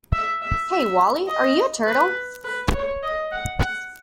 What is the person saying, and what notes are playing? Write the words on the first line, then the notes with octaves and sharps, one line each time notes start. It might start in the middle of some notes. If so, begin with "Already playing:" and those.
Hey, Wally, are you a turtle?
E5
E5
E5
D#5
B4
B4
C#5
D#5
F#5
F#5